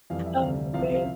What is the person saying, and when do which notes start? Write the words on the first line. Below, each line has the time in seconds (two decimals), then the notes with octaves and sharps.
Oh, man.
0.10 F2 E3 G3 F5
0.26 E5
0.42 D2 C3 G3 F5
0.73 C2 C3 F3 F5
0.84 E5
0.95 F5